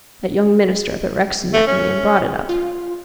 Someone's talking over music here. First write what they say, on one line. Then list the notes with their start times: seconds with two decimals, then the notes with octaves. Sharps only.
That young minister up at Rexton met me and brought it up.
1.53 A3
1.67 C#4
2.49 F4